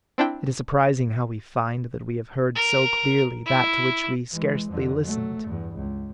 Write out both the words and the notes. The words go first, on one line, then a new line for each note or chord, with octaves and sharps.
It is surprising how we find that we have heard so clearly that to which we scarcely listened.
C4 D4 E4 G5
A#4
E4
E3 G#3
F2 D3
F#3 A3
E2 G2
C#2